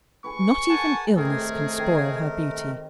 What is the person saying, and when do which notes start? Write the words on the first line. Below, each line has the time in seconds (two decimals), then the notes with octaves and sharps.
"Not even illness can spoil her beauty!"
0.24 G#4 B4 C#6
0.69 G#4 A#4 F#5 G#5 A5
1.17 A2 C3 D#3 A3 G#4 A#4
1.79 D#3